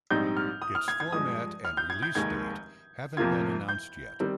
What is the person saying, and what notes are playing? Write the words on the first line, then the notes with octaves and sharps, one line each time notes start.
Its format and release date haven't been announced yet.
A#1 G#2 G3 C4 D#4 G6
F6
D#6
F6
G#6
G#6
G2 F3 G#3 D#6
F6
G6
G#6
G6
F1 D#2 D#3 G#3 G#6
F2 C3 F3 A#3 F4 G#6
G6
D#3 G3 C4